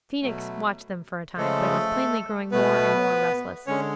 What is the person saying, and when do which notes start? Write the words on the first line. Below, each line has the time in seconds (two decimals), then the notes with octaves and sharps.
The Phoenix watched them for a time, but it was plainly growing more and more restless.
0.22 B2 F#3 A3
1.37 C#3 F3 G#3 A3 A4
2.52 B2 A3 B3 B4
3.67 D3 G#3 C#4 C#5